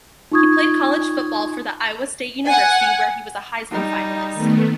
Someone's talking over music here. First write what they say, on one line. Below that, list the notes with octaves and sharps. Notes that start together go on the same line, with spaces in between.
He played college football for Iowa State University where he was a Heisman finalist.
D#4 F4 C#6 D#6 G#6
F#5 G#5
G3 D#4
D#3 A3 B3